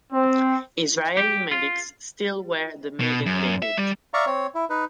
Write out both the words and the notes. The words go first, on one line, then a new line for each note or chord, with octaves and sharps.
Israeli medics still wear the Magen David.
C4
G4
F4
B2
F#2
E5
G3
D5 E5 F5 A#5 C#6
C4 C#5
E4
D#4 B4